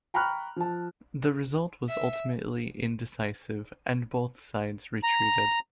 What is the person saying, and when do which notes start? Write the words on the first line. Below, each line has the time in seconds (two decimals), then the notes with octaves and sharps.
The result was ultimately indecisive and both sides retreated.
0.14 G5 A#5 B5 C#6 F6 F#6
0.56 F3 A5
1.89 E5
5.03 A#5